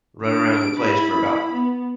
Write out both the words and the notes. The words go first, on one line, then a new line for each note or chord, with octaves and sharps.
run around the place for about
D4 D7
E4 B5
B3